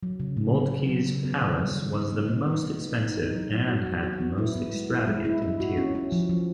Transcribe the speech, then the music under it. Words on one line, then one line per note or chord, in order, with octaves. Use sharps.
Moltke's Palace was the most expensive, and had the most extravagant interiors.
F#3
C#3
C#3
B3
C#3
F#3
C#3
B3
D#3
G3
D#3
D#4
B3
B3
D#4
B3
A#3
D#4
D#4
F#3
F#3
F#4
F#3
F#4
B3
E4
B3
G#3
E4
G#3
E4
E4
F#4
C#4
C#4
F3
F3